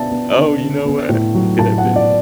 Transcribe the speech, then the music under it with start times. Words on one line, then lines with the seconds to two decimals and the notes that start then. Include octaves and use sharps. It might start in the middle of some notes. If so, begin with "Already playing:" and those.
Oh, you know what? It could have been.
Already playing: D3 B3 D5 E5 A5
0.11 B3
0.36 D3
0.61 D3
0.85 B3
1.09 A2
1.35 F#3
1.58 A2 A5
1.78 F#5
1.84 B3
1.96 D5